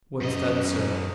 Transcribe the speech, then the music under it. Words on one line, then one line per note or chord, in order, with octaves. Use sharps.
"What's that, sir?"
F#2 D#5